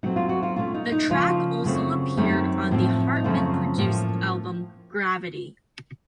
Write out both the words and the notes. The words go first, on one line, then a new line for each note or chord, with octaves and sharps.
The track also appeared on the Hartman produced album "Gravity".
A#2 F#3 A3 C4 D#4
F4
F#4
F4
A#2 A3 C#4 F4
D#4
D#4
C#3 F3 A#3 C#4 F4
F#2 C#3 A3 C4
F#2 D#3 A3 C4
A2 F3 C4
D#4
F#2 C#3 F3 A3 C4 F4
A2 F3 A#3 C#4